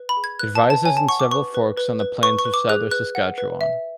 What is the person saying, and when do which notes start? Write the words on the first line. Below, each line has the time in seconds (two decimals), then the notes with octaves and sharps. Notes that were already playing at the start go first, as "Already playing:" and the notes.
It rises in several forks on the plains of southern Saskatchewan.
Already playing: B4
0.09 B5
0.17 G#4
0.24 G#6
0.39 B4 F#6
0.55 A5
0.63 B4
0.70 A5
0.85 C#5 G#5
0.97 A5
1.09 F#5 C#6
1.20 D6
1.31 B4 C#6
1.54 B4
1.77 B4
2.00 B4
2.23 B4 C#6
2.39 C#6
2.45 B4
2.54 D6
2.69 G#4 F#6
2.91 B4 F#6
3.15 F#5
3.38 B4
3.61 E5